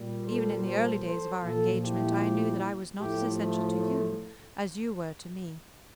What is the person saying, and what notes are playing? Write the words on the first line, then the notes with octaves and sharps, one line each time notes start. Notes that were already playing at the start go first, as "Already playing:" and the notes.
Even in the early days of our engagement I knew that I was not as essential to you as you were to me.
Already playing: A#2 G3
A4 C5
A4 C5
A4 C5
A#2 F3 F4 A4
E4 G4
A2 F3 E4 G4
A3
A3